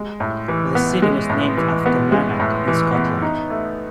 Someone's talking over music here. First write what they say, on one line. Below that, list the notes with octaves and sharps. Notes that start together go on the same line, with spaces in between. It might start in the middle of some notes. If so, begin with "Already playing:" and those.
The city was named after Lanark, in Scotland.
Already playing: G#3
A2
E3
B3
G#3
A2
E3
B3
G#3
A2
E3
B3
D#4
A3